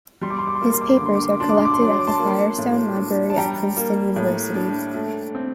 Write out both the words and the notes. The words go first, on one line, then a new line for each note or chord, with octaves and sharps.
His papers are collected at the Firestone Library at Princeton University.
G3 C6
D6
C6
D6
C6
A#3 D6
C6
D6
C6
D6
D3
C6
D6
C6
D6
D4 C6
D6
C6
D6
C6
F#3 D6
C6
D6
A5 C6
A#3
A2
D4
A5
G3 G5 A#5
A#3
A2
D4
A3
C4